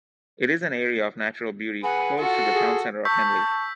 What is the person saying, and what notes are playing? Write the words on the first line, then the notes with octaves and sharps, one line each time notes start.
It is an area of natural beauty close to the town centre of Henley.
G#4 B4 F#5 G#5
F4 F#4 A4
G#4
A5 C#6 E6 G6 B6